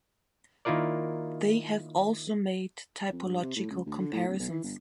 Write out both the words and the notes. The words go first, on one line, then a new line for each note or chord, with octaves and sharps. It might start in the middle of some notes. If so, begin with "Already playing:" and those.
They have also made typological comparisons.
D#3 A#3 E4 F4 A#4 D5
F2
G2
C3
A2
C#2
D2
D3
A2
D1
B1
E3
G1